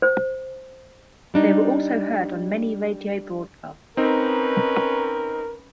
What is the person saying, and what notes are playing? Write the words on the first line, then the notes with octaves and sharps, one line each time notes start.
They were also heard on many radio broadcasts.
C5
G3 D4 D#4
C4 C#4 D#4 A#4 B4